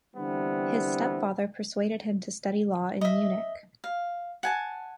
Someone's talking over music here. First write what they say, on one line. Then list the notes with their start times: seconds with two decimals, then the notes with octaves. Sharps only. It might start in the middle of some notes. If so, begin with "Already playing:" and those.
His stepfather persuaded him to study law in Munich.
0.15 D3 E3 G3 B3 C4
3.01 D#5 E5
3.84 F5
4.43 F#5 G#5 A5